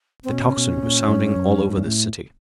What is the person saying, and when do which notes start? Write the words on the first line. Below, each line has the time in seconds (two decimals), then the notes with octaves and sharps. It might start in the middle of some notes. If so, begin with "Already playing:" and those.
The tocsin was sounding all over the city.
0.24 C4
0.31 B2 C#4
0.47 C3
0.57 B2
0.77 B2
0.83 A#2
1.08 G2
1.35 F#2
1.61 G2
1.69 G#2
1.78 G2
1.87 A2